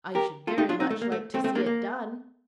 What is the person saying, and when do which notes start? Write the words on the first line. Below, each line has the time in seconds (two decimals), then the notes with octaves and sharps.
'I should very much like to see it done.
0.15 G4 A#4
0.47 F4 A4
0.58 D#4 G4
0.69 D4 F4
0.80 C4 D#4
0.91 A3
1.02 A#3
1.12 A3
1.34 A3 C4
1.44 A3 C4
1.55 A#3 D4
1.66 A#3